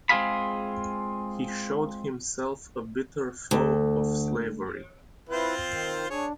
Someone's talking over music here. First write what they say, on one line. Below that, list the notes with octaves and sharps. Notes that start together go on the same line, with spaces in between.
He showed himself a bitter foe of slavery.
G#3 C4 F4 G#4 F5 B5
D2
C4 E4 F4 B4 C5
D#3
D4 G#4 C#5